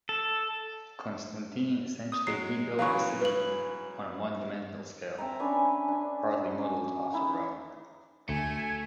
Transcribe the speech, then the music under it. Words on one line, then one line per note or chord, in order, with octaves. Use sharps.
Constantine essentially rebuilt the city on a monumental scale, partly modelled after Rome.
A4
D#6
F#3 G#3 C7
C#3 E3 F#3 F5 C#6
B4 F#7
C4 E5 A5 A#5
C#4 D4 G#5 B5
D4 G#5
C#4
D#4 E4
D2 A3 G#5